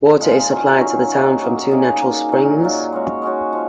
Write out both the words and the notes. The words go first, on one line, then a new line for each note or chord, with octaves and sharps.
Water is supplied to the town from two natural springs.
A#2 F3 G#3 D#4
D#3 F#3 C#4 F4
D#3 F#3 C#4 F4
F#3 A#3 D#4
F#3 A#3 D#4
A#3 D#4 G#4
A#3 D#4 G#4
A#2 F#3 A#3 D#4
A#2 F#3 A#3 D#4
G#3 C#4 F#4 C#5
G#3 C#4 F#4 C#5
F3